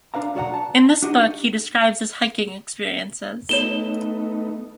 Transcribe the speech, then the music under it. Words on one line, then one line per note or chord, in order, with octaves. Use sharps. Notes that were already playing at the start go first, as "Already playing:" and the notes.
In this book he describes his hiking experiences.
D4 B4 F5 A#5
B1 F#4 D5 E5 F#5 A#5
A5
D4 D#4 F#4 G4 D#5
A3 B3 D#4 C#5 E7 G7